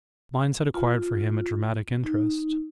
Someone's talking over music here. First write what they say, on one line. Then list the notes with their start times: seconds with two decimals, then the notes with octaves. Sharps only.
Mines had acquired for him a dramatic interest.
0.74 F4
2.04 D#4